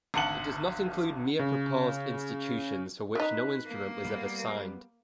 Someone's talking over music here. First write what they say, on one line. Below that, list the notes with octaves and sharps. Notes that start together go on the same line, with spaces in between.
It does not include mere proposed institutions for which no instrument was ever signed.
G#1 D2 F#5 A5 C#7 F#7
C#3
D#3 D#4 B4
A#3
G3 B3